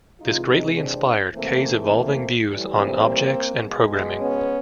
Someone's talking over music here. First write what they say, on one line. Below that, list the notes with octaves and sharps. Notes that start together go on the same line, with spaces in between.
This greatly inspired Kay's evolving views on objects and programming.
C3 E3 G#3 D#4 F4
C#4 D#4
C4 D4
E2 C3 E3 A3 A#3 C4
A#3 C4
A2 E3 G3
A#3 C4
B2 G#3
B3 C#4